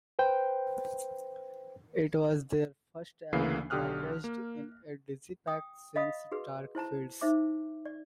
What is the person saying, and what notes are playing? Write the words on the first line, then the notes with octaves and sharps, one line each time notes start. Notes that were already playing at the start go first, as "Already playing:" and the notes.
It was their first album packaged in a digipak since "Dark Fields".
B4 C5 G5
D2 C#3 E3 A#3 F5 C7
B1 D3 G4 D#6 F6 F#6
A#3
G5 D#6
D#5 F5 B5 D#6
F#4 G#4 B4
E4 C5 A5 A#5
D#4 C5 E5 D6
D5